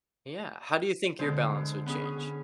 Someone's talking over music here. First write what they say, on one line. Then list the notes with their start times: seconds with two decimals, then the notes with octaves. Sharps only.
Yeah. How do you think your balance would change?
1.19 B2 D3 G#3 C5
1.86 B3 C#4 G#4